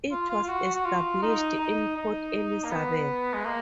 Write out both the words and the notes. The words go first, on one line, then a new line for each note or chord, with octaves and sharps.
It was established in Port Elizabeth.
F4
F4
F4
F#4
F#4
F4
D#4
D#4
D#4
A#3
B3
G#3
A#3